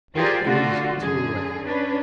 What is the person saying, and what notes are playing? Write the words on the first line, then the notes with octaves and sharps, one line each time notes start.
It is too late.
F4 G4 G#4 A#4 C5 D5
D3 A3 F4 F#4
F#2 D3 G#4
C#4 D4 B4